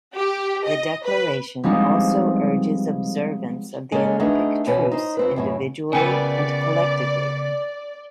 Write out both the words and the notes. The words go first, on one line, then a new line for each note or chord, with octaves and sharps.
The Declaration also urges observance of the Olympic truce individually and collectively.
G4
D#5
B4
F3 G3 G#3 B3 C4 D#4
G#3 A#3 C#4 A4
A3 B3 D4 D#4 G#4
E2 B2 C4 C#4 B4
D#4 C5
F2 C4 B4
F#2 A2 C#3
C#3 B3 A#4 B4 D5 G5 G#5